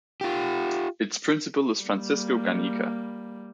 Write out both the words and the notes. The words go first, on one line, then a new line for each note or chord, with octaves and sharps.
Its principal is Francisco Garnica.
F4 G4
G3 A#3